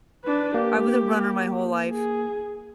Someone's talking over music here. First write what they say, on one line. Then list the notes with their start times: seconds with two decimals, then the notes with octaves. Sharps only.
I was a runner my whole life.
0.25 D4 B4
0.54 A#3 G4
1.91 G#4